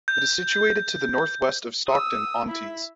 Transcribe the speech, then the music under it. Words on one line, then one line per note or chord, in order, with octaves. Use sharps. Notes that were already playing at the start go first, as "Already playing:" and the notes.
It is situated to the north-west of Stockton-on-Tees.
G6
D#6 E6
E4 E5